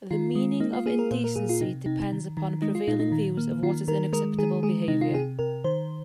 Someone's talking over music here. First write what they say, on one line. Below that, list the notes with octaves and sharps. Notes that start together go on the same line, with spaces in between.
The meaning of indecency depends upon prevailing views of what is unacceptable behaviour.
D#3 F4
G#3
A#3 D#4
F4
A#3 G#4
A#4
A#2 C5
A#4
A#2 G#4
F4
C3 D#4
C3 D#4
D#3
D#3
G#3 D#4
F4
A#2 D#4
D#4
D#3
A#3
D#3 F4
D#3 A#4
G#3 A#4
D#3 G#4
G#3 G#4
C3 D#4
F4
C3 G#4
C3 A#4
D#3 C5